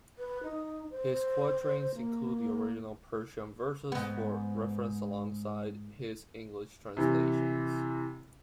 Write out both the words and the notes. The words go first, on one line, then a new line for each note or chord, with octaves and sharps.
His quatrains include the original Persian verses for reference alongside his English translations.
B4
D#4
C5
A#3
G#2 B3
C3 E3